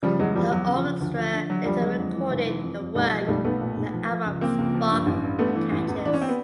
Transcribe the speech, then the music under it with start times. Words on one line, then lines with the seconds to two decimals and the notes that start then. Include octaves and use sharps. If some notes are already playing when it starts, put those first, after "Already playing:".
The orchestra later recorded the work on their album "Spark Catchers".
0.03 C#3 F3 G3
0.19 E2 F#3 G#3
0.35 E2 F3 G3
0.51 E2 F#3
0.68 C#3
0.76 F3
0.85 C#3
1.01 D2
1.17 F3
1.33 D3
1.49 D3 F#3
1.65 D2 F3 G3
1.81 D3 F#3 G#3
1.98 F2
2.14 E3
2.31 F1
2.46 E3
2.63 F2
2.79 F2
2.95 B1 G3 A3
3.12 F3
3.21 G#3
3.27 B1 G3 A3
3.44 B1 A3 B3
3.61 A#2
3.77 B1
3.93 F3
4.10 F3
4.26 C#2
4.41 F3 A#3 C4
4.58 C#2
4.74 F3
4.90 G2
5.06 A1
5.23 G2
5.39 G2 A3 B3
5.55 E3
5.71 A1
5.88 E2
6.05 E3 D4
6.14 C#4
6.22 C4
6.29 B3